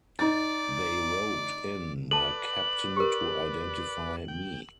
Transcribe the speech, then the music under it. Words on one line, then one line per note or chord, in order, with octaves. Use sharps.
They roped in my captain to identify me.
D#4 D5 A6
A4 B4 D5 A5 F#7
G4 A#4
G5